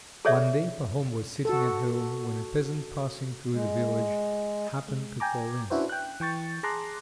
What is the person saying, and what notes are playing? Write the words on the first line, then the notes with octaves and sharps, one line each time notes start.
One day Pahom was sitting at home, when a peasant passing through the village, happened to call in.
G#4 A4 C#5 D5 E5
F#4 A4
G#3
G#3
G5 G#5 A#5 D6
C#4 D4 E4 F#4 B4 C5
G5 F#6
E3 G5 C#6 A6
G#4 A5 A#5 C6 D6 F#6